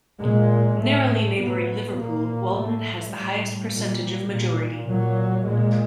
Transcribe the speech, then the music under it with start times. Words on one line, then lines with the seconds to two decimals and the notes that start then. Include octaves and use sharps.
Narrowly neighbouring Liverpool Walton has the highest percentage of majority.
0.21 A#2 G#3
0.80 A2 A3
1.09 A3
1.38 A2 B3
1.96 A#2 A#3
2.56 A2 A3
3.14 A2 G3
3.72 A#2
4.31 A#2
4.90 A#2 F#3
5.48 A#2 G#3